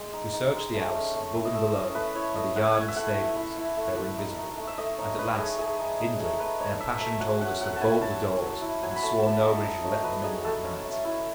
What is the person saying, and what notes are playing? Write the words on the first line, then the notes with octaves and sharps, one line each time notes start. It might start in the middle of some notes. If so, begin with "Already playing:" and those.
We searched the house, above and below, and the yard and stables; they were invisible: and, at last, Hindley in a passion told us to bolt the doors, and swore nobody should let them in that night.
Already playing: G#3
D#4
D#4
G#3
A3
C#4
A3
E4
D#5
A3 E5
C#4 D#5
A3 B4
E4 C#5
A3 D#5
E4 F#5
E4 F#5 G#5
E5
A3 F#5
A3
E4
E4
A3
A3
D#4
D#4
A3
E5
A3 D#5
D#4 C#5
D#4 B4
A3 G#4
A3 G#4
D#4
D#4
A3
A3 B4
D#4 C#5
D#4 E5
A3 E5
F#3 F#5
C#4 F#5
F#3 F#5
A5
E4 G#5
F#3 A5
C#4
F#3
E4
F#3 G#5
B5
A3 A5
F#3 A5
D#4 D#5
F#3 D#5
A3 C#5
F#3 B4
D#4 G#4
A3 A4
C#4
A3
E4